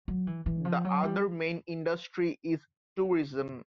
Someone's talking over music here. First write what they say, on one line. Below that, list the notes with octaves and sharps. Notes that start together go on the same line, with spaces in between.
The other main industry is tourism.
F#3
E3
E3
F3
F#3
G3